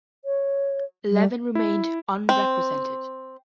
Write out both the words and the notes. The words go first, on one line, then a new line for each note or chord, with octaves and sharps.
Eleven remained unrepresented.
C#5
G3
E4
C4